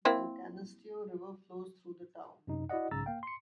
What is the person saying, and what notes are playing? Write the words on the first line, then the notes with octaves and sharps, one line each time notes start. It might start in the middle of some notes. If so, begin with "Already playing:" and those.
The Canisteo River flows through the town.
A#3 C4 E4
F#2 C3 D#4
E4 F#4 D5 D#5 F#5
B1 G#2 C#3 A#5 E6 A6
A#3 F5 G5
C6 C#7